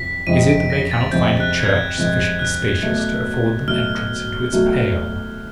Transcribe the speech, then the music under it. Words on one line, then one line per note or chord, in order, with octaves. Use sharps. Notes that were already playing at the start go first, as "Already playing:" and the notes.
Is it that they cannot find a church sufficiently spacious to afford them entrance into its pale?
Already playing: F2 C3 F3 B6
F2 C3 F3 G#3 D#7
D7
A#6
A6
F2 C3 F3 G#3 G6
F#6
G#6
G6
F2 C3 F3 G#3
F#6
B2 F#3 A3
B2 F#3 A3 F6
B2 F#3 A3